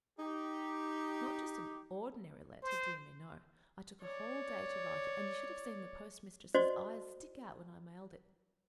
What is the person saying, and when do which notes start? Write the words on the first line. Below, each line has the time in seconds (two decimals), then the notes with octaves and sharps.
Not just an ordinary letter; dear me, no. I took a whole day to write it, and you should have seen the postmistress's eyes stick out when I mailed it.
0.19 D#4 G4
2.63 C5
4.01 C#5 D5
6.55 F#4 C5 D5 D#5